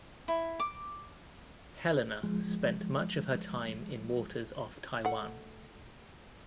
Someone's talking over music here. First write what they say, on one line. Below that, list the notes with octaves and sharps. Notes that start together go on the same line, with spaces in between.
"Helena" spent much of her time in waters off Taiwan.
E4
D6
F3 G#3
A3 F#5